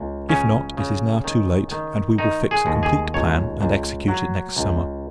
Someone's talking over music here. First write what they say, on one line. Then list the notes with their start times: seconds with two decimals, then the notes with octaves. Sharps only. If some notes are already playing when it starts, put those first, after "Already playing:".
If not, it is now too late; and we will fix a complete plan, and execute it next summer.
Already playing: C#2
0.29 C#3 C#4
0.77 C#3
1.24 D#3
1.71 D#3
2.18 D#3 D#4
2.51 G#4
2.66 D#2
2.83 G#4
3.14 C#2 C#5
3.61 C#2
4.08 F#3
4.57 C#2